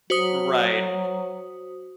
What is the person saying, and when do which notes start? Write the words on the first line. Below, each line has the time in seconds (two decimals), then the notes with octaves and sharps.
Right, a
0.10 F#3 F#4 C5 D#6